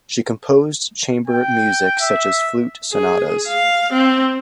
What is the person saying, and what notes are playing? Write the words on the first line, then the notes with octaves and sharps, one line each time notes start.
She composed chamber music, such as flute sonatas.
G5
E5
G#4
F5
C4